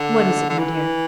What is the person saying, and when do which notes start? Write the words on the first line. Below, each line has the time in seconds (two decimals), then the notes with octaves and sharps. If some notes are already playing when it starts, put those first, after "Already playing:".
"What is it, my dear?"
Already playing: D3
0.49 D3
0.58 E3